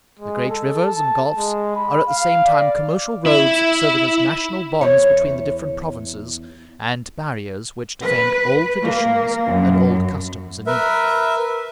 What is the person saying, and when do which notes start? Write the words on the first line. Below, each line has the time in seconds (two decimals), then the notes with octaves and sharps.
The great rivers and gulfs are at the same time commercial roads serving as national bonds between the different provinces, and barriers which defend old traditions and old customs in each.
0.19 G#3
0.49 A4
0.82 A5
1.38 G#3
1.76 B5
2.08 F5
2.46 D5
3.26 E4
4.81 E2 C#5
8.02 B4
8.83 A#3
9.46 F#2
10.67 A#4 B4 E5